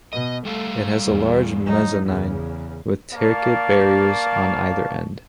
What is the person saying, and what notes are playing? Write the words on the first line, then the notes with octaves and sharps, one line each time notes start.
It has a large mezzanine with ticket barriers on either end.
B2 D#5
G3 A3 A4 F5
E2
F#3 D#4
E2 C#3
A#3 D5 F5 A5 C#6